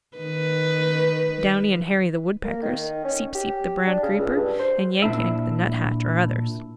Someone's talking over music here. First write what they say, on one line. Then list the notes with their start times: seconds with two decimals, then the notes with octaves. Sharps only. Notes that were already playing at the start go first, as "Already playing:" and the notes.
Downy and Hairy the Woodpeckers, Seep-Seep the Brown Creeper and Yank-Yank the Nuthatch are others.
0.17 D#3 B4
2.45 A#3
2.62 D#3
3.04 C#4
3.35 G4
3.87 D4
4.03 C#3
4.19 C#2
4.37 G2
4.60 C5
5.02 A#2 D4 E4 E5